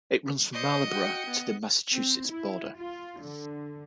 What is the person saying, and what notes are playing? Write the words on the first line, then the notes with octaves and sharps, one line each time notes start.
It runs from Marlborough to the Massachusetts border.
C5 D5 D#5 C#7
F#4 G5
B3
C4
E4
F4
D3